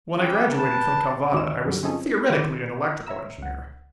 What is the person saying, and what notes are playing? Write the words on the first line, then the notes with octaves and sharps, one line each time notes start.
When I graduated from Calvada I was theoretically an electrical engineer.
C#2 C#3 G3 G5
B4 G5 A5
D2 D#3 F#4 C#5 D#5 E7
G2 D3 F#3 G3
C4 C#4 D#4 F4 G#4 A4
D#3 E4 D5 E7
C#5 E5 A#5 E6
C#2 F#5